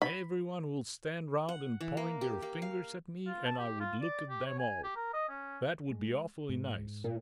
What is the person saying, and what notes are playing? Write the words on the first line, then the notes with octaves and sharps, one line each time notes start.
Every one will stand round and point their fingers at me and I would look at them all. That would be awfully nice.
B5
F#5
E3
A#3
G4
A#3
F5
F4
A5
G4
F4
D5
G4
C#5
G#5
G4
A#4
D#5
C#4
G#3
G#2
A#2